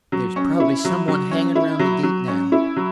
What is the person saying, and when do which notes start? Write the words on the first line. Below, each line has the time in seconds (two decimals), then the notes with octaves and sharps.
There's probably some one hanging around the gate now.
0.12 F#3
0.36 C#4
0.60 E4
0.85 F#3
1.08 F#3
1.31 C#4
1.55 E4
1.79 F#3
2.03 F#3
2.28 C#4
2.52 E4
2.76 F#3